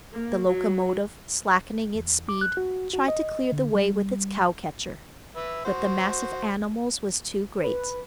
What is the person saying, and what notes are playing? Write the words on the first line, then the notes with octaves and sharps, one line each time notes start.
The locomotive, slackening its speed, tried to clear the way with its cow-catcher; but the mass of animals was too great.
A#3
F#3
E2
D6
F#6
F#4
F#4
D#5
D3
G3
B4 E5
F#4 C5
B4